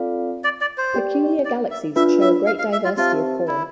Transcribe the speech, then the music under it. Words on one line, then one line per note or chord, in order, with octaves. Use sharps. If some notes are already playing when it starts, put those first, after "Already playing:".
Peculiar galaxies show a great diversity of form.
Already playing: C4 F4 A4 D5 F5
D5
D5
C5
G4 D5 G5
D5
E5
D4 F4 B4 E5
E5
F5
F5
E5
F4
C4 F4 G4 C5 E5 A5
E4